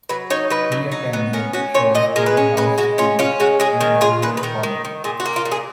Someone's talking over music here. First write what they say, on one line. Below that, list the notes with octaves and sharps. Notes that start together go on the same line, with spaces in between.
He attended Shrewsbury House School and Malvern College.
F#3 B4
D#4 C#5
F#3 B4
F#3
D#4
B3
C#4 A#4
C#4 F#4
A#2 C#5
A#2 D#5
G#3 A#4
B4
C#4
G#3 B4
G#3 F#4
C#4 F4
C#4 F4
G#3 F#4
G#3 G#4
D#3 A#4
F4 G#4
D#3 B4
B4
D#3 A#4
D#3
D#3
A#2 G#4
F#4
A#3
F4
A#2
G#4